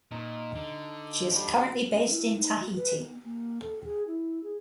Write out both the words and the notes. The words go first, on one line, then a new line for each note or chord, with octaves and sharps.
She is currently based in Tahiti.
A#2 D#4 C#6
D3
D3 G3 G4 C#5
C#4
E4
D#4
F#4
B4
B3
A#3
A4
G#4
E4
G#4